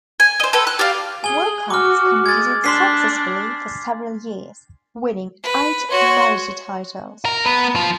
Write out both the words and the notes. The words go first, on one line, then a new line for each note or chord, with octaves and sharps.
Willcox competed successfully for several years, winning eight major titles.
G#5
C5 D#5
A4 B4 G5
F#6
G4 D5 F5
G#4 G#5 G7
F#4 D6 F6
G#3 G#6 A6
D4 C6 B6 C7
B4
F#4 C#5 C6
A#4
B3
F3